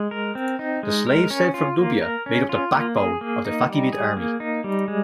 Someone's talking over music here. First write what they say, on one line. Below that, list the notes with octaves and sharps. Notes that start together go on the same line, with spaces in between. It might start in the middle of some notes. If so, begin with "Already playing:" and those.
The slaves sent from Nubia made up the backbone of the Fatimid army.
Already playing: G#3
A#4
C4
D#4
G#3
A#4
C#4
F4
A#3
A#4
C#4
F4
A#3
G#4
A#3
D#4
G3
G#4
A#3
D#4
G3
G#3